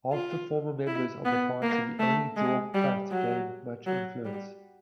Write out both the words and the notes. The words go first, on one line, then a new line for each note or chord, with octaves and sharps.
Of the former members of the party only Jorge Prat gained much influence.
F4
E4
B3
A#3
A3
G#3
G3
F#3
F#3
G3